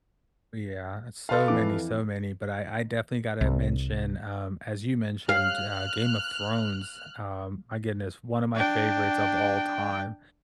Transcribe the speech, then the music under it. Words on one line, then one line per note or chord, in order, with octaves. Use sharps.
Ooh yeah it's so many, so many, but I I definitely gotta mention, um, as you mentioned, uh, Game of Thrones, um, my goodness, one of my favorites of all time.
A4 B4 F5 A5 C6 F6
F2 E3 D6
C2
F5 F6 F#6
D4 G5